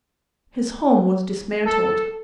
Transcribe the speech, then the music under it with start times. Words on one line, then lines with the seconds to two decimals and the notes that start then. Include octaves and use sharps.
His home was dismantled.
1.65 A4